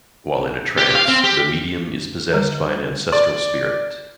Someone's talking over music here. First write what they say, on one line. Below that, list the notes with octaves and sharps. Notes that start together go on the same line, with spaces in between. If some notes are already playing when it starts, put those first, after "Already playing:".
While in a trance, the medium is possessed by an ancestral spirit.
G4
F5
C4
G4
D3 G3 A#4
D5